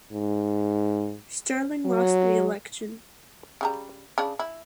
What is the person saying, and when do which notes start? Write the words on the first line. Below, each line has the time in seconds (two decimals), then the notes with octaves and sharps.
Sterling lost the election.
0.12 G#2
1.85 F#3
3.61 C#3 G3 A#5
4.18 C#3 D4
4.39 E4